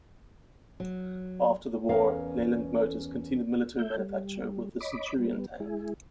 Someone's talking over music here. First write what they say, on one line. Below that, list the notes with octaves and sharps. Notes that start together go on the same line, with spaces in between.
After the war, Leyland Motors continued military manufacture with the Centurion tank.
F#3
E2 C#4 A#4 F5
A3 E5 G6
G3
C#5 D#5 B5 D6
G3 B3
G#3 E4 G#4